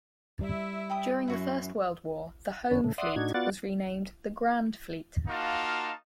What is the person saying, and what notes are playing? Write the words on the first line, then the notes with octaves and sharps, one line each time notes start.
During the First World War, the Home Fleet was renamed the Grand Fleet.
G3 E4 E5
G5 B5 D#6
F#2 E4 F#4 C#6
F2 D3 B3 C#4
A2 C#3 A3
D5 E5 F#5 C6 D#6
A2 D4 D#4 F#4 G#6
B3 F4 F#4 D5 F#5 A6
A#3 D#4 F4 F#4 F5 A5